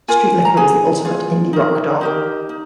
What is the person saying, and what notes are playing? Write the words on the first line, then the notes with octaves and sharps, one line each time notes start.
Street Licca was the ultimate "indie rock" doll.
F4 A#4 G#5
A#5
D#4 G#4 G#5
F4 G#4
D#4 A#4
D#4 G4 A#4
D#4